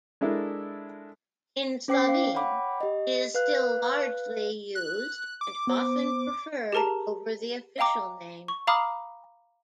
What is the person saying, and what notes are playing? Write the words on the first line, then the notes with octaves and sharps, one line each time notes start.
In Slovene it is still largely used and often preferred over the official name.
G#3 D4 E4 A4 A#4
C#4 C5 G5 D6 C7
F5
C#5 F#5 G5 B5 D6
G4 D#5
B4 F5 F#6
F#6
D6
B3 C5
G4 G#4 A#4 A5 A#5
D#5 F5 G5 A#5 D6
C#6
F5 A#5 B5 D6 D#6 F6